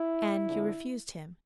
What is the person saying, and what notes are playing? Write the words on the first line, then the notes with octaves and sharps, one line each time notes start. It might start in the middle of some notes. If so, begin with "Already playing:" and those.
'And you refused him?'
Already playing: E4
F2 D3 F3 G#3